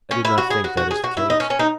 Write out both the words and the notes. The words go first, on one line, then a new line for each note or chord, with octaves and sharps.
"I do not think that is the case."
C#4
E4
F#4
G#4
F#4
F#4
G#4
F#4
E4
D#4
C#4
C#4
D#4